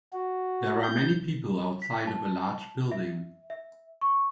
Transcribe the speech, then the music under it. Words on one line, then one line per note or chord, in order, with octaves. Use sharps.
There are many people outside of a large building.
F#4
G6
B6
A5
E5
E5
C#6